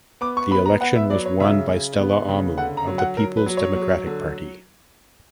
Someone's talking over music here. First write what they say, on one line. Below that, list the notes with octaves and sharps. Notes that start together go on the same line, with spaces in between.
The election was won by Stella Omu of the Peoples Democratic Party.
B3 D6
C#6
B3 B5
A#5
B3 F#5
E5
F#3 D5
C#5
C#3 E5
C#3
B3
C#3
D3 F#5
A#5
F#3
F#5
F#3 A#4
B4
F#3
C#5
F#3
D3